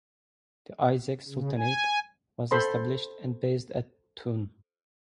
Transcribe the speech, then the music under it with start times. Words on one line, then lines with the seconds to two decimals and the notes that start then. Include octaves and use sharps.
The Isaaq Sultanate was established and based at Toon.
1.28 C#3
1.58 G#5
2.51 A4 C5 B5 C6